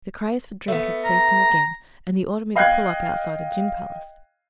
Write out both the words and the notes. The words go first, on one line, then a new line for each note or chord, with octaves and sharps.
The craze for drink had seized him again, and he ordered me to pull up outside a gin palace.
A3 B3
A#5
D#5 F5 G5 F#6 G#6 C7